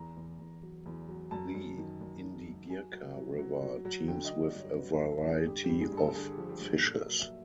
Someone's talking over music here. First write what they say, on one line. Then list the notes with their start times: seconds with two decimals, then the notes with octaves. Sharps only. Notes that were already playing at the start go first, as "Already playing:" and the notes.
The Indigirka River teems with a variety of fishes.
Already playing: E2 A#5
0.17 E2
0.39 E2
0.63 F#3
0.86 E2
1.09 F#3
1.31 F#2 A5
1.55 F#2
1.78 D#3
2.01 F#2
2.24 D#3
2.47 F#3
2.70 F#3 G#5
2.93 F#3
3.15 F#3
3.38 F#3
3.61 F#3
3.85 F#3
4.08 D3 G5
4.25 D#5
4.32 D3
4.43 D5
4.54 G2
4.60 C#5
4.76 F#3 B4
4.94 A#4
5.00 F#3
5.11 A4
5.23 D3
5.29 G#4
5.46 G2 G4
5.64 G4
5.69 G2
5.81 G#4
5.92 G2
5.97 A4
6.08 A4
6.15 D3 G#4
6.32 G4
6.38 F3
6.49 G4
6.61 G2
6.67 G#4
6.84 A#2 A4
7.01 A#4
7.08 F#3
7.19 E5